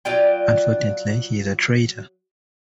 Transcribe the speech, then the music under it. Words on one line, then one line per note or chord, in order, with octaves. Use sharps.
Unfortunately, he is a traitor.
F#3 F4 D5 G5